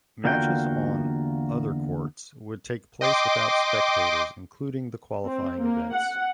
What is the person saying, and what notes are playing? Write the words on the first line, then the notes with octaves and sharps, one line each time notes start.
Matches on other courts would take place without spectators including the qualifying events.
E2 D3 A#3 F4 F#4 G5
D#5 G5 C6 D6
C4
A#3
F#5